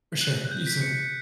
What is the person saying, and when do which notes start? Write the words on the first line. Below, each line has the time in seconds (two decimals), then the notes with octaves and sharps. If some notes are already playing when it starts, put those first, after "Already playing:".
For sure, you too.
0.21 F#6
0.45 F#6
0.51 G6
0.67 B6
0.81 C#7